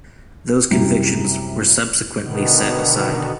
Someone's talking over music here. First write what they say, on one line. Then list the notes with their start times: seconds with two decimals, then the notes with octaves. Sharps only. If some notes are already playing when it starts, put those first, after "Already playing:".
Those convictions were subsequently set aside.
0.71 F#2 C3 G3 E4
2.19 B2 D3 D#3 B3